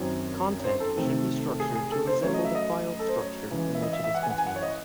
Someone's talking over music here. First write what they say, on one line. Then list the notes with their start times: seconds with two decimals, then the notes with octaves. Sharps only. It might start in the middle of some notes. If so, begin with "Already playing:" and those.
Content should be structured to resemble the file structure in which it is contained.
Already playing: F#2 D#3 F#3 C4 C#5
0.59 C#5
0.64 C5
0.80 A4
0.96 C3 D#3 A3 C4
1.60 G#4
1.75 G#4
1.91 A4
2.07 C5
2.22 C#3 F#3 A3 C#5
2.34 D#5
2.45 E5
2.55 D#5
2.99 A4
3.08 C5
3.19 C#5
3.50 C#3 E3 G#3
3.75 E5
3.82 D#5
3.93 E5
4.04 E5
4.15 F#5
4.23 G#5
4.30 F#5
4.38 G#5
4.47 F#5
4.56 C#5
4.63 D#5